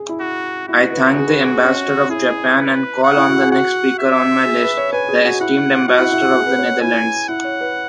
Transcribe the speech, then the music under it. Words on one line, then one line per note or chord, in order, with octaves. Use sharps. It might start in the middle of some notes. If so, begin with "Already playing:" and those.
I thank the Ambassador of Japan and call on the next speaker on my list: the esteemed Ambassador of the Netherlands.
Already playing: G#4
E4
F#4
E4 F#4
B4
G#4
B4
G#4
G#4
C#4
E4 G#4
B4
F#5
E4
F#4
G#4
F#4 F#5
E5
G#4
B4
C#5
B4 G#5
G#4
F#4
E4 F#5
F#4 F#5
E4
E4
F#4
G#4
B4
C#5
E4 G#5
E4 F#5
C#5
B4